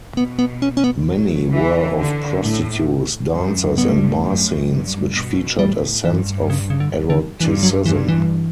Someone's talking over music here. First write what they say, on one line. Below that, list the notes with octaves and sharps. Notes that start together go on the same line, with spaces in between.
Many were of prostitutes, dancers and bar scenes, which featured a sense of eroticism.
B2 B3
B3
C#4
C#4
B3
F#3
E3
D3
A2
F#2
G2 B3
A3
G3
A3
F#2
G2
B2
A2 G3
G2 E3
C#3
C#3
D3
D3
G2 E3
F#3
G2 E3
E3